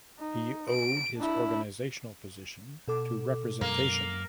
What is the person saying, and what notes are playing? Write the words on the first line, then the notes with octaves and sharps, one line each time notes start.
He owed his organizational position to representation.
D#4
D7
D4 E4
B2 A4 D6
F#2 G#3 A#3